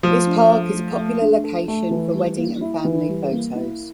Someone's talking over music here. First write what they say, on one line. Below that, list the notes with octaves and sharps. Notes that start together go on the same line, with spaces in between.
This park is a popular location for wedding and family photos.
F3 A3
D4
A4
A3
A3
D4
A4
A3
E3
G3
A#3
E4
E3
G3
A#3
E4